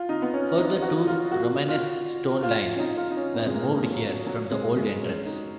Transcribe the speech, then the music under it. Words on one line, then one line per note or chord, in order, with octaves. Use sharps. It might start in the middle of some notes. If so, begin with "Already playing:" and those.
Further, two Romanesque stone lions were moved here from the old entrance.
Already playing: F4
D#4
B3
C#4
D#4
F#4
F4
F#4
F4
F4
C#4
D#4
F4
D#4
C#4
B3
G#3
A#3
A#3
F#3
F#3
F#3
G#3
G#3
C#4
D#4